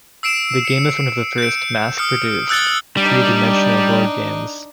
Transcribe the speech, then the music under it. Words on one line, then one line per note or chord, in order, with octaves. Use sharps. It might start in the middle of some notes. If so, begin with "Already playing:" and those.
The game was one of the first mass-produced, three-dimensional board games.
E6 C7 D7 E7
C#7
G6 D7
D#6 F6 C#7
E6 F#6 G6 A6 C#7 G7
G3 D4 D#4